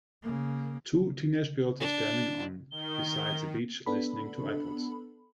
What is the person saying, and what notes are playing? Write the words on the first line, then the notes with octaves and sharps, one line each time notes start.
Two teenage girls are standing on beside the beach listening to ipods.
C#3 A#3
D4
D#3 G7
B3 D4 A4 B5